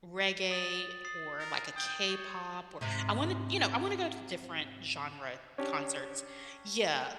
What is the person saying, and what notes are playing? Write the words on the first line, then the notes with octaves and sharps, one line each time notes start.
reggae or, like, a K-pop or I wanna you know, I wanna go to different genre concerts Yeah.
D#6 A6 F#7
D#6 A6 C7
A#4
G5 D#6 G6
C#5
G#2 C3
C#4 D4 G4